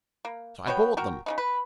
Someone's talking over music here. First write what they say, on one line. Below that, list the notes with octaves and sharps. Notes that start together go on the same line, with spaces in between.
So I bought them.
A#3
B3 F#4 C#5 G5
F#4 A#4 G5
C#3 A#3 D#4
B4